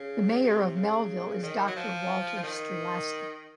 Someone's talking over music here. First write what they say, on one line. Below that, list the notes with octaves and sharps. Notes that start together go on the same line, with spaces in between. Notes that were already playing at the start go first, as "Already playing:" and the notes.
The mayor of Melville is Doctor Walter Streelasky.
Already playing: C#3
C3
C#3
D#3
F#3
F3
D#3